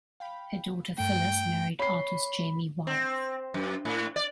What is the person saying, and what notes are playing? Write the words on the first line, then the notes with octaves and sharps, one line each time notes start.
Her daughter Phyllis married artist Jamie Wyeth.
F5 G5 B5
G2 A3 G5
C#5 B5 C#6 C7 G7
C4
F#2
A2
D5